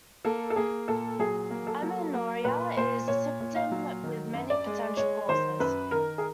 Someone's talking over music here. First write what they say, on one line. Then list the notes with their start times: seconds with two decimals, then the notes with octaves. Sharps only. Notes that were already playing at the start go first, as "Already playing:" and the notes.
Amenorrhoea is a symptom with many potential causes.
0.25 A#3 A4
0.50 A4
0.56 A#3 G#4
0.88 A#2 A4
1.19 F#3 G#4
1.51 A#3
1.67 A4
1.82 F#3
2.13 A#3
2.45 A#2 B4
2.77 A#2 C5
3.08 A#2 C#5
3.40 A#2
3.56 F5
3.71 F#3
4.03 D#3
4.34 F#2
4.50 D5
4.66 G#3
4.97 G#3 C#5
5.28 D#3 C5
5.59 F#2 B4
5.91 D#3 A#4
6.18 G#4